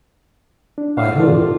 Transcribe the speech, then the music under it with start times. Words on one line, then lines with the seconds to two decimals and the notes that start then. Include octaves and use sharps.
"By whom?"
0.78 D4
0.97 F5 F#5
1.19 F4 A4 D5